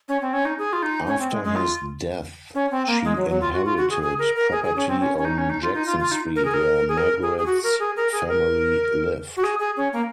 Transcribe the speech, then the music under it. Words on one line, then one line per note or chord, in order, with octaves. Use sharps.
After his death, she inherited property on Jackson Street where Margaret's family lived.
C#4
C4
C#4
D#4
G#4
F4
D#4
C#4
C4
G#3
G#3
F4
C#4
C4
A#3
G#3
F#3
F#3
F4
F#4
F4
F#4
G#4
G#4
A#4
A#4
G#4
G#4
C#4
C4
C#4
C#4
D#4
C#4
D#4
F4
D#4
F4
F4
D#4
A#4
G#4
A#4
G#4
A#4
G#4
G#4
F#4
A#4
G#4
A#4
G#4
A#4
F#4
G#4
G#4
C#4
A#3